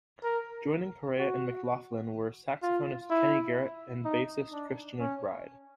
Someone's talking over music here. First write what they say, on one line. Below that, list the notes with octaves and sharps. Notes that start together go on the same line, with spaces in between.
Joining Corea and McLaughlin were saxophonist Kenny Garrett and bassist Christian McBride.
A#4
F#4
F4
E4
D#4
D4
C#4